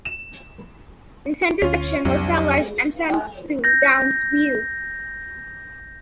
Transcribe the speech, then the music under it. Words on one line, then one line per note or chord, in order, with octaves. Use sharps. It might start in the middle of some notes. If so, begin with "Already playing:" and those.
The centre section was salvaged and sent to Downsview.
E7
D2 C#4 F4
C2 F2 F#3 D4
G6 A#6